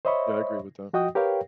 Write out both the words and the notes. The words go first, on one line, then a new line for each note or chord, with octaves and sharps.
Yeah, I agree with that.
C5 C#5 D#5 E5 B5 C#6
F3 F#4 D#5 G5 D#6
G4 A#4 B4 C#5 F5 G5